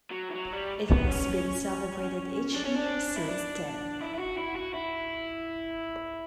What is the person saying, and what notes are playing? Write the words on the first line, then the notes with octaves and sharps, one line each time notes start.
It has been celebrated each year since then.
F#3
E3
F#3
G3
B3
C#4
D4
C#4
D4
E4
D4
E4
E4
F#4
E4
F#4
E4